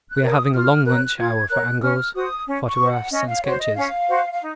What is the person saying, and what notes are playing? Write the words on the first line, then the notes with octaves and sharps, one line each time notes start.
We are having a long lunch hour for angles, photographs, and sketches.
F#6
A#4 C#5
D#6
F4 F6
A#4 C#5 F#6
F4 G#6
A#4 C#5 F#6
C#4 F6
F#4 C5 D#6
C#4
C#6
F#4 C5
F#5
C#4 D#5
F5
F#4 C5 C#5
D#5
C#4 F5
F#4 C5
F5
D#4